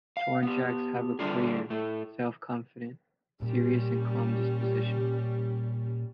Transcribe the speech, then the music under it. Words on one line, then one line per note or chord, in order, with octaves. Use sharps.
Tornjaks have a clear, self-confident, serious and calm disposition.
F5
B3 G4
D3 G3 D4 F4 G#4
A2 A3
A#2 G3 C#4